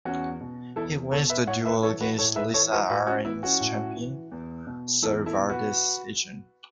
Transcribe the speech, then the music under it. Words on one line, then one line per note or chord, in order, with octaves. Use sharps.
He wins the duel against Lysa Arryn's champion, Ser Vardis Egen.
E2 C#4 F#4
B2
E2 E4 A4
B2 A4 C#5
B4 E5
A2 C#5 F#5
B4 E5
E3 A4 C#5
F#4 B4
A2 A4 C#5
B4 E5
E3 A4 C#5
F#4 B4
A2 F#4 B4
C#4 F#4
E3 B3 E4
C#4 F#4
A2
E3
E2
B2
E2 E4 A4
E4 A4
B2
F#4 B4